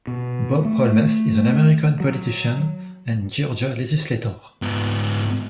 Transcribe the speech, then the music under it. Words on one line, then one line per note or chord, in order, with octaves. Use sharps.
"Bob" Holmes is an American politician and Georgia legislator.
B2
A3
F#3
G#2 B3